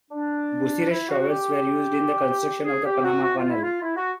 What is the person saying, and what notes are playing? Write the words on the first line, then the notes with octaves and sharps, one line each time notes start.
Bucyrus shovels were used in the construction of the Panama Canal.
D4
E4
F#4
G4
G#4
G4
F#4
F#4
F4
E4
F4
E4
F#4